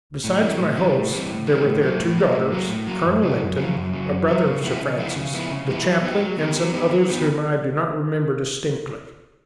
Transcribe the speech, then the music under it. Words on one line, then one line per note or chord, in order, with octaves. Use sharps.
Besides my hosts, there were their two daughters, Colonel Lynton, a brother of Sir Francis, the chaplain, and some others whom I do not remember distinctly.
A2
E3 G3 C4
A2
E3 G3 C4
A2
E3 G3 C4
A2
E3 G3 C4
A2
F#3 A#3
A2
F#3 A#3
A2
F#3 A#3
A2
F#3 A#3
F#2
C#3 F#3
F#2
C#3 F#3
F#2
C#3 F#3
F#2
C#3 F#3
C#3
F3 G#3 B3 E4
C#3
F3 G#3 B3 E4
C#3
F3 G#3 B3 E4
C#3
F3 G#3 B3 E4
F#3
B3 D#4 G4
F#3
B3 D#4 G4
F#3
B3 D#4 G4
F#3
B3 D#4 G4